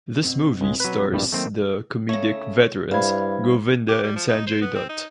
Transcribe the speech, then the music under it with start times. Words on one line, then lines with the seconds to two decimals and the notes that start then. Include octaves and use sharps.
This movie stars the comedic veterans Govinda and Sanjay Dutt.
0.24 B2 C4
0.61 C#2 G#3
0.80 F#3 B4
1.12 A#1 G2 G3
1.32 D#3 F#3 A3 A#3 C4
2.09 C#3 A3 C#5
2.91 G2 G3 D4 E4 C5 F5 B5 G#6
3.88 G4
4.03 G3
4.16 F3
4.28 D#4
4.47 C5
4.61 B3
4.75 C4
4.90 D#4